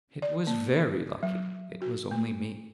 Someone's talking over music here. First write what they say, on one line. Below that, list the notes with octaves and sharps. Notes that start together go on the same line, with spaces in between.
It was very lucky it was only me.'
D5
A#3
F#3
F#4
A3